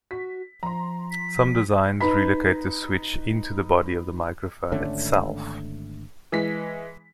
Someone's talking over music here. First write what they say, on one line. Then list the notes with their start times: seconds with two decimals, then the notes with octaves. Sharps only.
Some designs relocate the switch into the body of the microphone itself.
0.11 F#4 B6
0.63 F3 A#5 C6
1.11 B6
2.01 D#4 B4 B5 B6
4.72 G#1 D3 A3 C#4
6.32 E3 G#3 B6